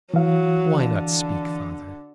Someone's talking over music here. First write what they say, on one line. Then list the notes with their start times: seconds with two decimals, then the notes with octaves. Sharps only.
Why not speak, Father?
0.14 E3 F#3 F5
0.82 D3